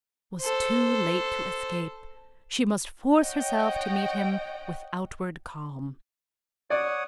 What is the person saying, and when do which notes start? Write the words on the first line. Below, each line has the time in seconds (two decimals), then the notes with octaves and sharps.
It was too late to escape; she must force herself to meet him with outward calm.
0.41 A4 C5
3.22 C#5 D#5 F#5 G5
6.70 C#5 D5 F#5 D#6